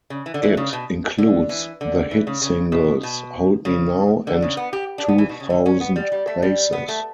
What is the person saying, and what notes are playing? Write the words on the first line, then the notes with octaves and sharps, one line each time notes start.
It includes the hit singles "Hold Me Now" and "Two Thousand Places".
C#3
E3
D3
E3
C#3
B2
D3
E3
D3
E3
C#3
C#3
B2
B2
C#3
D3
C#3
B3
G4
D4
B3
E3
B2
C#3
D3
C#4
B3
G3
G3
A3
G3
B3
A3